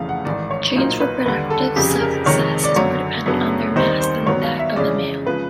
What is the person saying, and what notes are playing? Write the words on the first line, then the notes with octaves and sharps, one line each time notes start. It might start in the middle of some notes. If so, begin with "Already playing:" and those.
Gynes' reproductive success is more dependent on their mass than that of a male.
Already playing: F1 F2 C#3 E3 A3 F5
F#5
A1 G#2 D#3 D5
C#5
B1 A#2 F#3 A#3 D#4 C5
B4
D#2 D3 G3 B4
A4
F1 F2 C#3 G4
G#4
A#4
F2 C3 D#3 G#3 C#5
D5
F#2 D3 F#3 C#5
F#2 C#3 F#3 B3 D4
D#2 D#3 G3 C4 D#4 C5
C5
G2 D#3 F#3 B3 C#5
F5
E5
F2 C#3 E3 G#3 C#4 D5
C#3 F3 G#3 B4